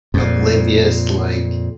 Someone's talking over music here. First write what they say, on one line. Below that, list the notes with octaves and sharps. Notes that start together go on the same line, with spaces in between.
oblivious, like
F2 A#2